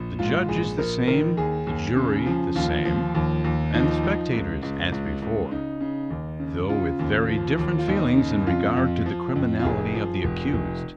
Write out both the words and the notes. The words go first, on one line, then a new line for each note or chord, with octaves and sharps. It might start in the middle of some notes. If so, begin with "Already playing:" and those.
The judge is the same, the jury the same, and the spectators as before; though with very different feelings in regard to the criminality of the accused.
Already playing: A#1
G#2 F4
A#1 G#4
A#1 A#4
D#3 A#4
D#2 G#4
D#2
C#3
F3
D#2 F4
F3
D#2
D#2
F3 D#4
F3
C#2
C#2
C#2
C#2
C#3 D#4
C#3
D#2
C#3
C#3 F4
D#2
F3
D#2
F4
D#2 D#4
C#3
F2 F4
F2
F3
F2
F4
F1 G#4
F3
F1
F1